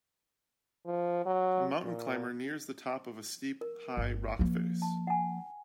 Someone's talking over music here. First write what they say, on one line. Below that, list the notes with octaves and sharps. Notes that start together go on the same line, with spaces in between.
A mountain climber nears the top of a steep, high rock face.
F3
F#3
A#2
A#4
G1
F3 A#3
A5
F#5 G#5